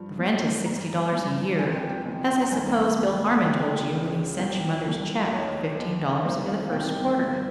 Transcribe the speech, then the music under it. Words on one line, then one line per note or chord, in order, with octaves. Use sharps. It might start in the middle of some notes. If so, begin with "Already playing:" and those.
The rent is sixty dollars a year, as I suppose Bill Harmon told you when he sent you mother's check for fifteen dollars for the first quarter.
Already playing: G2 F3
G2 F3
G2 F3 A#5
G2 F3
C#2 C3 F3 G#5
G5
G5
C#2 C3 F3
C6
A#5
G2 D#3 G#5
G2 D#3
C#2 C#3 F3 G5
C#2 C#3 F3
C2 A#2 F3 G5
C2 A#2 F3
D#2 D#3 C#5
D#2 D#3
C2 C3 D#3 C5
F5
F5
C2 C3 D#3 G5
G2 F3